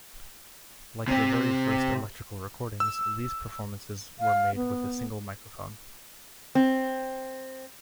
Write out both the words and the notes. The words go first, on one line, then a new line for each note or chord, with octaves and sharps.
Like the very first electrical recordings, these performances were made with a single microphone.
C3 C4
E6
F5
B3
C4